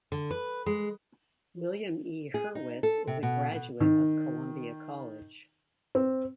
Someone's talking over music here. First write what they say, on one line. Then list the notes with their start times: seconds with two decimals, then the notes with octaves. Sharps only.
William E. Hurwitz is a graduate of Columbia College.
0.12 D3
0.31 B4
0.66 G#3
2.34 G#4
2.55 D#4
2.83 A4
3.07 C3
3.23 B2
3.54 B2
3.80 D#3
5.95 C4